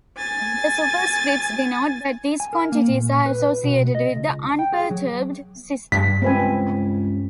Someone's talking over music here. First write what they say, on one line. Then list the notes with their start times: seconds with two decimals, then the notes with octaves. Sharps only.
The superscripts denote that these quantities are associated with the unperturbed system.
0.17 G#5 A6
2.40 G#5
2.53 A#4
2.72 A#3
2.89 A#2
3.26 B4
3.63 B2
3.95 D#5
4.16 C#2
4.59 G5
4.72 G#4
4.91 F#3
5.92 G2 B6
6.22 C#2 C4 B4 G#5